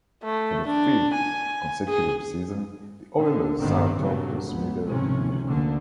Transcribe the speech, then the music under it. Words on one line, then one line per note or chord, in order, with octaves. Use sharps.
For the fifth consecutive season, the Oilers sat atop the Smythe Division.
A3
D4
G#5
G#4
D3
G#1 G2 D#3 B3 C4
G2 A#2 C#3 F#3 A3 A#3
C#2 B3
G#2 C3 F3 C#4
D2 D3 A#3